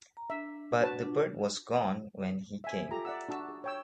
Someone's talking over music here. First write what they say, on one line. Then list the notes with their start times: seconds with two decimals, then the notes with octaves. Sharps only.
But the bird was gone when he came.
0.17 A#5
0.30 D4 E5
0.81 F#4 B4 A5
1.03 D4 F4
2.64 E5 G#5
2.91 F4 G4 A4 A#5
3.05 D5 E5 F#5 E6
3.29 D4 F#4 A5 E6
3.49 G#4
3.64 C#5 G5 E6